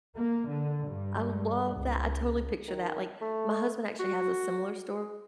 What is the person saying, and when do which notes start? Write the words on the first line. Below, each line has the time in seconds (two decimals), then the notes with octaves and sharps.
I love that, I totally picture that, like, my husband actually has a similar story,
0.15 A#3
0.48 D3
0.87 G2
1.75 C#2
2.68 D#3
3.21 A3
4.00 F#4